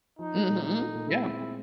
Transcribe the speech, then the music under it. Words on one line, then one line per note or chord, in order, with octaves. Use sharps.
Mhm, yeah.
F3 D#4
A3
A#2
A3 D#4
A3
A#2
G#3 E4
C4
G#3